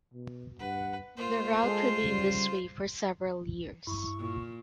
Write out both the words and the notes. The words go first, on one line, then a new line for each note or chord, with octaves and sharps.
The route remained this way for several years.
B2
G2 B4 F#5
A#3 F4 C5 C6
G#3 A4 C6
C#3 G3
G2 E4 C#6
A#2